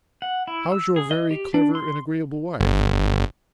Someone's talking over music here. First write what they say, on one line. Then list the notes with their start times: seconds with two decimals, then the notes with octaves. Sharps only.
How's your very clever and agreeable wife?
0.22 F#5
0.47 E4
0.72 E6
0.96 G#4
1.11 D#5
1.31 G4
1.54 D4
1.75 C6
2.60 G1